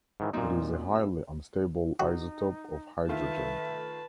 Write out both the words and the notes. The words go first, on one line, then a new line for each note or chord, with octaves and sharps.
It is a highly unstable isotope of hydrogen.
G#2 D#3 E3
F#2 A#2 A#3 C4 D#4
E6
D#4 F#4
D#3 A3 F4 B4 E5 A5